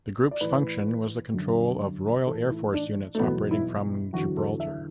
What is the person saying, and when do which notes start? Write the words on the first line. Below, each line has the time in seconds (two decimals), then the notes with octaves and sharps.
The Group's function was the control of Royal Air Force units operating from Gibraltar.
0.31 D5
0.41 A2 E3 B4
1.34 F#2 D3 F#3
2.27 A2 E3 A4
2.50 E4
2.73 D4
3.15 A3
3.20 E2 B2 F#3 B3
3.51 E4
4.13 E2 D3 F#3 F#4
4.37 A4
4.60 E5